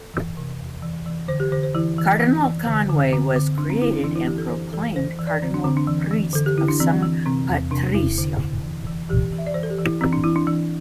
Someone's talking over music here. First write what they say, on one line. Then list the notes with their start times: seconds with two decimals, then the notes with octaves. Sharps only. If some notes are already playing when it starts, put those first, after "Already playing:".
Cardinal Conway was created and proclaimed Cardinal-Priest of San Patrizio.
Already playing: A4
0.14 E3
0.37 C3
0.60 E2
0.83 E3
1.06 E3
1.28 D3 C5
1.40 G4
1.52 D3 C5
1.63 C5
1.75 E3 E4
1.98 E3
2.20 E3
2.44 E3
2.66 D3
2.89 D3
3.12 D3 C4
3.36 D3
3.58 D3 D4
3.70 C4
3.82 D3 E4
3.93 D4
4.04 E3 D4
4.16 E4
4.27 E3 G4
4.38 A4
4.50 E3 C5
4.73 E3 A4
4.96 E3 C5
5.19 E3
5.27 D5
5.42 D3 C4
5.54 D4
5.64 D3 C4
5.77 D4
5.87 E3
6.11 E3
6.33 D3 A4
6.46 G4
6.57 D3 E4
6.68 D4
6.80 E3 C4
7.02 E3
7.26 C3 C4
7.49 E2
7.71 C3 D4
7.94 E2 E4
8.18 D3
8.40 D3
8.63 E3
8.87 E3
9.09 E3 G4
9.32 E3
9.38 E5
9.46 D5
9.54 E3 C5
9.63 A4
9.70 G4
9.78 E3
9.85 E4
10.01 E3 C4
10.13 D4
10.24 E3 E4
10.36 D4
10.47 E3 D4